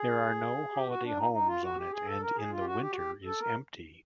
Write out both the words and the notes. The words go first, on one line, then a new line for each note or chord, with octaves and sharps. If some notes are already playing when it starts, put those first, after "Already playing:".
There are no holiday homes on it and in the winter is empty.
Already playing: G#4
G4
F#4
D4
D#4
D#4
F4
F#4
G4
G#4
A4
A#4
G#4
F4
G4
F#4
G4
F#4
G4
A4
A#4